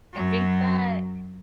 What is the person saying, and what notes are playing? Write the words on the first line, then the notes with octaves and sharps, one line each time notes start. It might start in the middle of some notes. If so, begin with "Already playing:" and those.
I think that
F#2 F#3